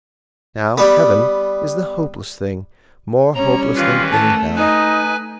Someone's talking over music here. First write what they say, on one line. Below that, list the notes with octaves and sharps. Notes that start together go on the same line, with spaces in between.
Now, heaven is the hopeless thing, more hopeless than any hell.
G3 B3
G3 C#4 C#5 A#5
D#3 E3 F4 B4
A3 A5
D#4 B4 G#5